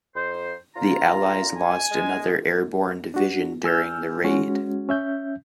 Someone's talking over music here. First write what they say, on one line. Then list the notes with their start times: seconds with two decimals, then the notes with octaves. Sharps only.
The allies lost another airborne division during the raid.
0.14 F2 C5
0.75 D3 F4 A#5
1.55 G#5
1.91 G#3
3.14 D4 F#4
3.64 G#5 E6 F6 G6
4.24 G#3 C#4 F#4
4.89 C#4 E5 G6